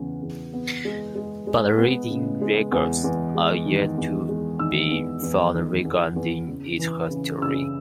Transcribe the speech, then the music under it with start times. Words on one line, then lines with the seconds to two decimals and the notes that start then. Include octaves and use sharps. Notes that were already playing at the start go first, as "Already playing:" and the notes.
But written records are yet to be found regarding its history.
Already playing: E2 C#3 B3
0.22 E2
0.54 B3
0.85 G#3
1.15 G#3
1.47 G#3
1.78 B3
2.10 C#3
2.42 G#3
2.72 E2
3.04 E2
3.35 G#3
3.66 D#3
3.98 E2
4.29 G#3
4.59 D#3 E6
4.91 E2
5.22 E2
5.54 D#3
5.85 E2
6.16 E2
6.47 C#3
6.79 E3
7.10 C#3
7.42 C#3 E6